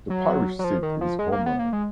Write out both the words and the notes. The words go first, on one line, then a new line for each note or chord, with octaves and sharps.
The parish seat is Homer.
F#3
F#3
F3
D#3
F3
G#3
A#3
B3
A#3
G#3